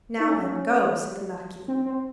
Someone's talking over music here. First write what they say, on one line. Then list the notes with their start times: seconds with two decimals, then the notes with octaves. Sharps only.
"Now, then, go," said the marquis.
0.20 D#4
0.28 C#4
1.68 C4
1.86 C4